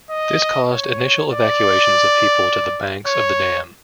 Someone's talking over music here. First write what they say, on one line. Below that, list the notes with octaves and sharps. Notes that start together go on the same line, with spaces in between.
This caused initial evacuations of people to the banks of the dam.
D#5
C#5
D5
C#5